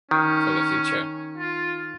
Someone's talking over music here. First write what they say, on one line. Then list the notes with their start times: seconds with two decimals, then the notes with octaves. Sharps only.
For the future.
0.11 D#3 C#4
1.38 F4